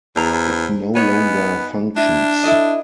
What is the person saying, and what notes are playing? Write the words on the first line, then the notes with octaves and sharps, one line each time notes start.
It no longer functions.
E2 C5 A#5
B3 D#4 C#5 G#5
D4 E4
E4 A4 D#5